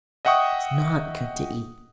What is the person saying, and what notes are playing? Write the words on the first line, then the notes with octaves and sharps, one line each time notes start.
"It's not good to eat."
D#5 E5 F#5 G5 C#6 D#6